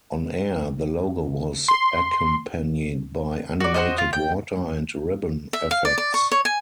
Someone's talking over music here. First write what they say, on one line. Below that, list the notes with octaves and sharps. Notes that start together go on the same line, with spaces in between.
On-air, the logo was accompanied by animated water and ribbon effects.
C6
F#4 D5
F#4 G#4 C5 D#5
F4
G5
E5
F5
D5
D5
C#6
C#5
G#5